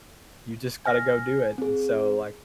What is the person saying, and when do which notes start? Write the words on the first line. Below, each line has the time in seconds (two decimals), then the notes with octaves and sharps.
you just gotta go do it, and so, like,
0.86 G#5 F6 A#6
1.58 C4 G#4